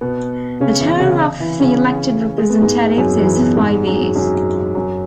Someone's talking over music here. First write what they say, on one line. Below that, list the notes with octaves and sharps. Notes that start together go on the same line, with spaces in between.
The term of the elected representatives is five years.
B2 B3
C#3 C#4
E3 E4
C#3 C#4
E3 E4
C#3 C#4
G#3
B3
G#2 G#3
F#2 F#3
E3
B2 B3
G#2 G#3
F#2 F#3
F#2 F#3
F#2 F#3